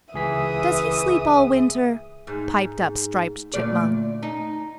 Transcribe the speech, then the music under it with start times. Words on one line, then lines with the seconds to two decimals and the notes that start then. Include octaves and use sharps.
"Does he sleep all winter?" piped up Striped Chipmunk.
0.14 C#2 E3 G#4 E5 D#6 B6
2.27 G#2
3.54 D2 A#2 D5
4.23 D#4